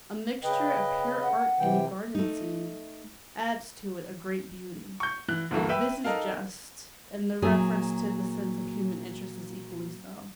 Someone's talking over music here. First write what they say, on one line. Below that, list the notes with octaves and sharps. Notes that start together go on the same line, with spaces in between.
'A mixture of pure art in a garden scene, adds to it a great beauty.' This is just; and the reference to the sense of human interest is equally so.
C#3 B4 D#5 G5
F#5
C3 E3 G5
A3 D#4
C#6 G6
E3 F#6
D2 G2 E3 A3 A#3
B4 E5 G5 E6
D#4 A4 A#4 F5
A#2 F#3 G#4